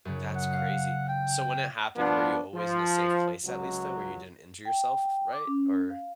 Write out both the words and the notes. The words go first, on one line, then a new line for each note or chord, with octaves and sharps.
That's crazy, so when it happened, were you always in a safe place, at least, though, where you didn't injure yourself f f right, or
F#2 C#3
F#5
F5
G5
G2 F3 B3 D4
F3
C#2 F#3
G5
D6
C#4
F5